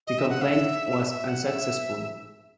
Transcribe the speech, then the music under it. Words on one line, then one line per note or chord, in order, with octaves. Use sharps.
The complaint was unsuccessful.
D#5
E5
F#5
E5
E5
F#5
E5